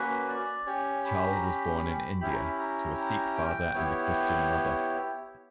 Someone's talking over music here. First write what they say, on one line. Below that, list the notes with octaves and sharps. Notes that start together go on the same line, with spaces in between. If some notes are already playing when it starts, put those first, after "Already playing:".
Chal was born in India, to a Sikh father and a Christian mother.
Already playing: A#3 C#4 F#4 B4
D5
C#4 G4 C#5
B5
A#5
B5
C#4 E4 G4 B5
A#5
B5
A#5
A#5
G5
B3 E4 G4 C#5
C#5